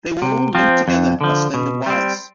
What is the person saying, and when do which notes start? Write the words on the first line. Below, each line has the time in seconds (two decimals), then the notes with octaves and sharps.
They were all linked together by slender wires.
0.22 C3
0.55 F3 C4
0.88 F2
1.21 D3 F3
1.54 B2
1.86 G3 C4